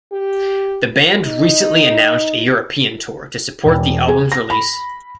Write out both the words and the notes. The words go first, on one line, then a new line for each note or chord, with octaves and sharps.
The band recently announced a European tour to support the album's release.
G4
D#4
E1
G#4
A#6
B5